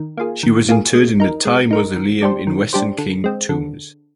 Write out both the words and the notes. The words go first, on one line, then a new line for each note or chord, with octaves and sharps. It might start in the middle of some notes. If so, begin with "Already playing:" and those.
She was interred in the Tai Mausoleum in Western Qing tombs.
Already playing: D#3
A#3 F4 G#4
D#3
A#3 F4 G#4
G#3
D#4 A#4
G#3
D#4 A#4
D#3
G3 D4 G4 C5
D#3
G3 D4 G4 C5
D3
G#3 C4
D3